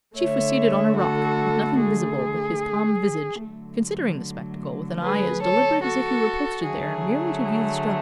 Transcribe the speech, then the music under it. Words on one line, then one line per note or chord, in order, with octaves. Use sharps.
The chief was seated on a rock, with nothing visible but his calm visage, considering the spectacle with an eye as deliberate as if he were posted there merely to view the struggle.
D3 A3 C#5 E5
F#4 A4
G#4
D3 F#3 A3
G#4 B4
A4 C#5
F#4 A4
D3 F#3 A3 G#4
G#4